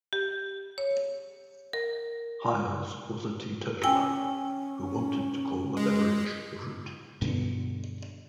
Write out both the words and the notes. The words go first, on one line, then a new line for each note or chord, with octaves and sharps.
Hires was a teetotaler who wanted to call the beverage "root tea".
G4
C#5
A#4
C#4 G5 G#5 E6
G#3
G2 B2 D3